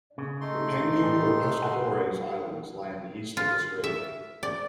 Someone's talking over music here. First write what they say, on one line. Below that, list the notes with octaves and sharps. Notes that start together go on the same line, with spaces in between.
The Penghu or Pescadores Islands lie in the east of the strait.
C#3
A3 D#4 C6
A2 G3
F#5
F4
E5
D5